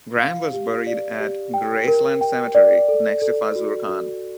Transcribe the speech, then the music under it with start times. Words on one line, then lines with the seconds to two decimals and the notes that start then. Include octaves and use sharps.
Graham was buried at Graceland Cemetery next to Fazlur Khan.
0.19 F5
0.53 G4
0.87 D5
1.20 G4
1.54 G5
1.88 A#4
2.21 G5
2.55 D5
2.89 A4
3.22 A4
3.56 F#4
3.89 F#4